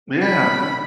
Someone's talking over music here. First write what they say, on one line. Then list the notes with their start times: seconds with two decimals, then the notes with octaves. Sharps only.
Yeah, man.
0.22 B5